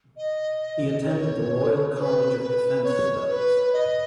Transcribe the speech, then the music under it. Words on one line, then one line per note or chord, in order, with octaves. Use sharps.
He attended the Royal College of Defence Studies.
D#5
C#5
C#5
B4
B4
C#5
B4
D#5